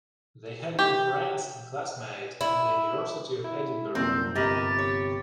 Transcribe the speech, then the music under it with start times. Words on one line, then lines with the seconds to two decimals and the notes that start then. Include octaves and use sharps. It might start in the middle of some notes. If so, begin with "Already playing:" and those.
They had been friends and classmate at the University of Edinburgh.
0.79 G4
2.41 E4
3.44 E4
3.95 C2 F#2 A#2 C4 G6
4.35 G1 C3 G4 A#4 D#5 B5 A6
4.79 C#5